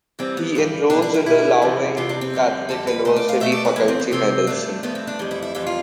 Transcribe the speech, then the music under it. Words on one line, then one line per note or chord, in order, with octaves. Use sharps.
He enrolls in the Louvain Catholic University faculty medicine.
G2 E3 G3 C4
B3
G2 E3 G3
B2 G3 D4
D4
E4
B2 G3 E4
F2 C3 E3 G3
F2 C3 E3 G3 F4
D4
C4
F2 D3 G3
F2 D3 G3 A4
B4
B2 A3 C5
D5
F5
B2 A3 E5
D5
B4
E2 C3 F3 E4
C4
B3
E2 C3 F3 C4
G2 F3 A3 D4
G2 F3 A3 B3
C4
D4
F2 E3 G3
E4
E4
F2 E3 G3 F4
F4